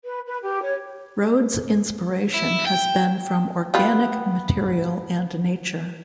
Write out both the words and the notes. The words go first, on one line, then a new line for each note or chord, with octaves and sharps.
Rhodes' inspiration has been from organic material and nature.
B4
B4
G4
C#5
E4
G5
G3 B3 F4